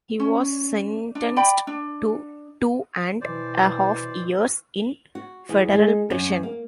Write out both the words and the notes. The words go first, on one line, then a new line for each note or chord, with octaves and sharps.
He was sentenced to two and a half years in federal prison.
C#4
D4
D5 G5 B5
D4
B2 E3 C5 D5
F#4
E2
G#3
F#2
A#3